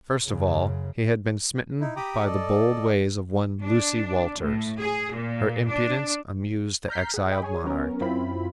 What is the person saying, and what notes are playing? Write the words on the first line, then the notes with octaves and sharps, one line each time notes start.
First of all, he had been smitten by the bold ways of one Lucy Walters. Her impudence amused the exiled monarch.
F#2 C#3
D#4 E4
G4 G5 A#5 B5 D6 D#6
A4 D5 D#5
D4
A2
G#4
A#2
D4
A#5 F6 G6 B6 C7
G#4 F#5
D#5 G5 B5
G#4 C#5 G#5
F#3 B3 C#4 A#4
F#2 C4 E4 F4 B5